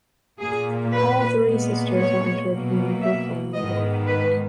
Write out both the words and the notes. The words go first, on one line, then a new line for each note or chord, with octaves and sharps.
All three sisters are interred in Brooklyn, New York.
A#2 A#3 G#4
B4
A#2 G#3 B3
C#5
B2 F#3 A#3
E5
G#2 D#3 G#3 B3 D#5
B4